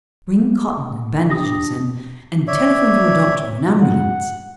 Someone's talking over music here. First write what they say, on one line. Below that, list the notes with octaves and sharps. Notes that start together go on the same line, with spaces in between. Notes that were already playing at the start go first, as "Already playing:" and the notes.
"Bring cotton and bandages, and--and telephone for a doctor, an ambulance!"
D4 G4 D#6 A#6
C#5 D5 E5
F#5